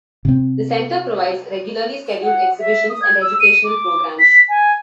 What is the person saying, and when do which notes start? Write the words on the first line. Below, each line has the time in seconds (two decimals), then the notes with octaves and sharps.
The Center provides regularly scheduled exhibitions and educational programs.
0.25 C3 C4
2.23 F#5
2.59 E5
2.90 D#6
3.02 G#6
3.21 E6
3.40 D#7
3.64 D6
4.19 B6
4.49 G#5